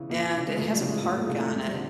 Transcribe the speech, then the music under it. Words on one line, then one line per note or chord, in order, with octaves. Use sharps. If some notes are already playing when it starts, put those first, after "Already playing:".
and it has a park on it
Already playing: C#3 E3
F2 A#3
C#3 E3
G#3
F2 A3
G3
C#3 E3
G#3
F2 A3
A#3
G#3
C#3 E3 A3
A3
F2 G#3
G3
D3